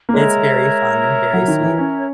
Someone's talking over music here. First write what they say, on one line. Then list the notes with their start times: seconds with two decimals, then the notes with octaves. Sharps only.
It's very fun and very sweet.
0.09 A#3
0.13 G#3 A#4 C#5 E5 A#5
1.33 F#3
1.48 D#3
1.64 E3
1.78 C#4